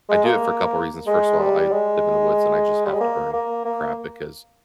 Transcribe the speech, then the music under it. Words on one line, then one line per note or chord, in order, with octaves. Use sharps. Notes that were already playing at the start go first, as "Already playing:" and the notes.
I do it for a couple of reasons: first of all, I live in the woods, and I just have to burn crap because
G#3
A#3
G#3
G3
G#3
G3
G#3
A#3
A#3
A#3